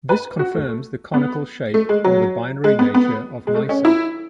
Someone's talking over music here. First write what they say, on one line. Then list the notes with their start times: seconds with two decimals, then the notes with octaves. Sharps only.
This confirms the conical shape or the binary nature of Nysa.
0.09 B4
0.39 F#4
0.55 A3
1.14 B3
1.74 A3
1.89 G#3
2.04 F#3
2.64 G#3
2.79 B3
2.94 B3
3.47 G#3
3.55 A3
3.69 C#4
3.85 E4